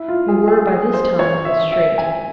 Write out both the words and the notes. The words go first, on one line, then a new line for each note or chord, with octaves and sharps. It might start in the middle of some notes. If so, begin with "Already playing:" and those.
We were by this time in the street.
Already playing: E4
F4
G#4
G#4
G#4
C5
C#5
E5
E5
G#5